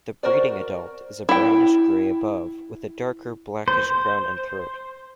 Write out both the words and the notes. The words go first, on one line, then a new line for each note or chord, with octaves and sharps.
The breeding adult is brownish grey above with a darker blackish crown and throat.
F#4 A#4 C5 D5
E4 G5
C5